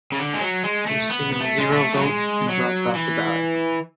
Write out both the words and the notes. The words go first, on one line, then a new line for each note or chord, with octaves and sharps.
He received zero votes and dropped off the ballot.
C#3
D3
G#3
F#3
G#3
A3
B3
B3
A3
G#3
A3
F#3
G#3
F#3
E3